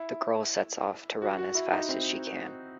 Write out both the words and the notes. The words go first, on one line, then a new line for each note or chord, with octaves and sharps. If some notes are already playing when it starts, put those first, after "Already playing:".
The girl sets off to run as fast as she can.
Already playing: E4
F#4
F#4
E4
D#4
C4